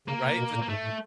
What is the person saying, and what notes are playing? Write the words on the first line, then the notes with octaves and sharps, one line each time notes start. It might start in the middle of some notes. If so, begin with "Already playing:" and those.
Right, but
C#3 A#3
C3
B2
A#2
A#3
G#2 A3
A2